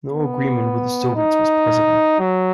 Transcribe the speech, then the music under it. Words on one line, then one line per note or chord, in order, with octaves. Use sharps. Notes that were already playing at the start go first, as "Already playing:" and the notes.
No agreement with the Soviets was possible.
B3
D#4
F#3